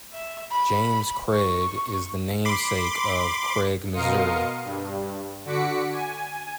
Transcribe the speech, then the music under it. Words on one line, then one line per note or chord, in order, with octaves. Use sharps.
James Craig is the namesake of Craig, Missouri.
E5
B5
C#6
B5 C6 D6
B2 A#4 F5 C6 D#6 C#7
G2
D3 F#4 D6 B6 C#7
G#5